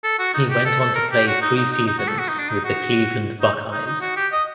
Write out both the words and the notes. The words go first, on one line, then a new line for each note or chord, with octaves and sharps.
He went on to play three seasons with the Cleveland Buckeyes.
A4
F#4
D#4
G4
A4
A4
A#4
G4
F#4
D#4
D#4
D#4
D#4
F#4
A4
F#4
D#4
D4
D#4
F#4
D#4
D#4
D#4
F#4
G4
D#5